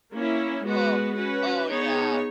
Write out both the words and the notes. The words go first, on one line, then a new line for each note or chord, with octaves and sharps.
Oh! Oh, yeah.
A#3 C#4 E4
G#3 B3 F#4 B4
C#4 F#4 B4
B3 D#4 G#4 C#5